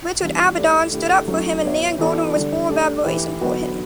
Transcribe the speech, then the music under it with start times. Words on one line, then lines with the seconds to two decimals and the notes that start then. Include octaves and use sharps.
Richard Avedon stood up for him and Nan Goldin was full of admiration for him.
0.21 E3 G3 B3 D4 G4
0.57 A3 E4 G4 D5
0.92 D3 A3 E4 G4
1.28 F#3 A3 C#4
1.63 B3 F#4 C#5 E5
1.99 E3 B3 F#4 A4 D5
2.34 D3 G3 D4
2.69 A3 D4 G4
3.05 E3 A3 E4 G4 B4
3.40 D3 F#3 B3 F#4